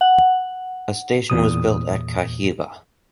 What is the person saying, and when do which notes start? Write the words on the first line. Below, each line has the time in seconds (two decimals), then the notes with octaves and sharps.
A station was built at Kahibah.
0.01 F#5
1.30 E2 A#2 D#6